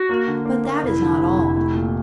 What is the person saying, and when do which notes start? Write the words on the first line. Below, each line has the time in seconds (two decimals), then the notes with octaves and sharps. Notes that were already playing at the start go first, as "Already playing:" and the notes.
But that is not all.
Already playing: F#4
0.09 A#3
0.28 D3
0.45 A#3
0.65 A#3
0.83 F1 E4
1.02 D3
1.19 F1
1.38 F1
1.57 A3
1.75 A#2